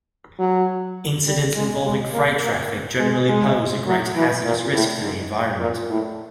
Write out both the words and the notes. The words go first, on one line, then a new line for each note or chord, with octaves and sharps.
Incidents involving freight traffic generally pose a greater hazardous risk to the environment.
F#3
G3
G#3
G#3
A#3
A#3
G#3
G#3
F#3
E3
A#2
A2
G#2
A#2
A2